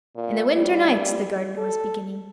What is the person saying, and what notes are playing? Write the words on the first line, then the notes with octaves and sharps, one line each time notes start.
"In the winter-nights--" the Gardener was beginning.
A#2
G3
A4